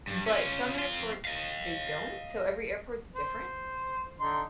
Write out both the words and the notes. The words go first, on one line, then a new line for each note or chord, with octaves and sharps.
but some airports, they don't, so every airport's different,
G2
C#4 F4
C4 F4
D#5 F5
C5
D3 D#4 C6